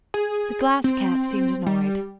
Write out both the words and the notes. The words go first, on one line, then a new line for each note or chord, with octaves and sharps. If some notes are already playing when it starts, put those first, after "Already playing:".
The Glass Cat seemed annoyed.
G#4
C4
G3